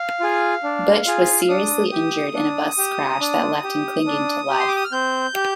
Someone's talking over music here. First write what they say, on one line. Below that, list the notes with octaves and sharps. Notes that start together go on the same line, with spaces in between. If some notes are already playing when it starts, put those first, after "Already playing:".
Butch was seriously injured in a bus crash that left him clinging to life.
Already playing: F5
F4 G#4
D4
F4 G#4
D4 D#6
G4
D4
G4
D4
G4
D4
G4
C6
D6
D#6
F6
C4 G6
G4